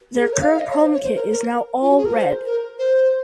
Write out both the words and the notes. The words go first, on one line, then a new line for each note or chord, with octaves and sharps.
Their current home kit is now all red.
G#4
A#4
C#5
F5
F5
D#5
C#5
C5
C#5
C5
A#4
A#4
F4
F#4
G#4
A#4
C5
A#4
C5